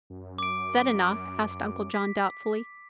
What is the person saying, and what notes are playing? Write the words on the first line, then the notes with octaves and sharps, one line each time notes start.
"Is that enough?" asked Uncle John, doubtfully.
F#2
D6 D7
B6